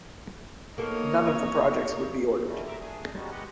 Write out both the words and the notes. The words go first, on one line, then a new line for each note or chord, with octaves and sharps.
None of the projects would be ordered.
A#3 B3 D#4 A4 C#5
B2 D3 D#3 G3 A3
A2 E5 A#5 D6
F2 A3 D4 G#4 G#5
G3 G#3 B3 C#4 D#4 F#4
G#3 B3 G4 D#5 F#5